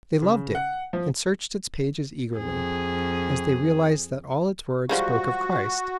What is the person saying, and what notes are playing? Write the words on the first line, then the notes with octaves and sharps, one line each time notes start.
They loved it and searched its pages eagerly, as they realized that all its words spoke of Christ!
C#3
F#5
F3
F2 G#4
F3 G3 G#3 F#4